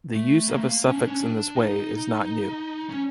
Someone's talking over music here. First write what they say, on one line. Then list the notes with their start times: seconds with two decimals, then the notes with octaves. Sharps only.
The use of a suffix in this way is not new.
0.13 A3
0.48 A#3
0.57 A3
0.66 A#3
0.84 C#4
0.96 D4
1.07 C#4
1.21 D4
1.56 D#4
2.89 C#4